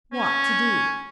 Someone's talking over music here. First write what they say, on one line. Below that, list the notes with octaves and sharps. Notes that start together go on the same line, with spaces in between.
"What to do?"
C#4